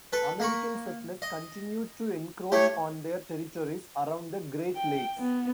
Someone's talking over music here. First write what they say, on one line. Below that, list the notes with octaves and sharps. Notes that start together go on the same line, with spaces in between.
American settlers continued to encroach on their territories around the Great Lakes.
A4 B4
A#3 B5 C#6
D#5
A3 E4 G4 C#5
G5
B3